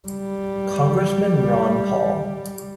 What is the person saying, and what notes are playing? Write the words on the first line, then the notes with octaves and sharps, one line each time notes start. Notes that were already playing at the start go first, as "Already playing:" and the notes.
Congressman Ron Paul.
G3